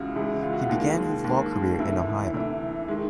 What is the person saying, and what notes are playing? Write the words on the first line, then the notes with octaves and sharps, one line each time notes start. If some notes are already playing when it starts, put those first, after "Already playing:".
He began his law career in Ohio.
Already playing: C#2 C#3 E3 G#3 F4 F#4
C#2 C#3 E3 G#3 E4
F4
F#4
F4
D#2 D#3 G#3
D#2 D#3 G#3
D2 C3 E3 E4
D2 C3 E3
D#3 G#3